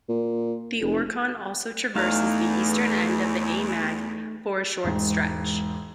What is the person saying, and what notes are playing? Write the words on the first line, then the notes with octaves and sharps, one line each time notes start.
The Orkhon also traverses the eastern end of the aimag for a short stretch.
A#2
F1
E2 A3 D#4 F5
E1 G#2